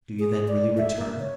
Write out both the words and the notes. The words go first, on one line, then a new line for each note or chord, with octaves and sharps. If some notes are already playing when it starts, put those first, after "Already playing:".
"Do you, then, really return?"
G#4
D5
E5
A#3
C#5